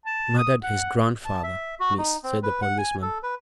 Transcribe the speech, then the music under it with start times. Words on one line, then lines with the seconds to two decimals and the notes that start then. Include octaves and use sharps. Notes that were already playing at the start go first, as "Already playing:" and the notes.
"Murdered his grandfather, miss," said the policeman.
0.06 A5
0.38 D#6
0.63 F#5
1.25 A5
1.43 E5
1.80 F#4
1.98 D#4
2.24 C4
2.43 B4
2.62 F#5
2.78 G#5
3.02 A4
3.23 B4